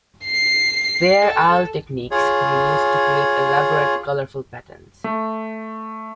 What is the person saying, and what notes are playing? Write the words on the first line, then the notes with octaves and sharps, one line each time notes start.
Fair Isle techniques were used to create elaborate colorful patterns.
C7
A4
F4 G#4 C#5
A3